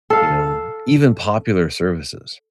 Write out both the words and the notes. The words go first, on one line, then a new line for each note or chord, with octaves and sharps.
you know, even popular services.
A4 F5